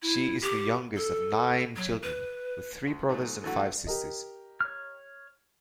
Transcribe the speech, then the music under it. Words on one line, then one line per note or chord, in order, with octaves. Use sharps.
She is the youngest of nine children, with three brothers and five sisters.
E4
G4
A4
F#3
B4
D2
G#2 F#3 A3
D3 E3 F#3 A3 F#4
G4 A#4 D#5
C#5 F6